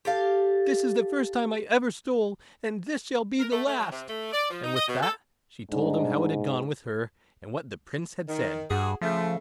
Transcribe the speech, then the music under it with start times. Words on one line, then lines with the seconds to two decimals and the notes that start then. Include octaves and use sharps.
This is the first time I ever stole, and this shall be the last'; and with that she told him how it had gone with her, and what the Prince had said.
0.05 G4 A4 F5
3.39 A#4
3.51 A3
3.65 A3
3.78 F#3
3.91 C3
4.08 A3
4.32 D5
4.50 F3
4.63 D#4
4.74 D#5
4.86 B2
5.01 A4
5.71 G#2 G3 D4 D#4
8.28 D#3
8.70 G2 F#4 G#4
9.01 C#3 F3 A3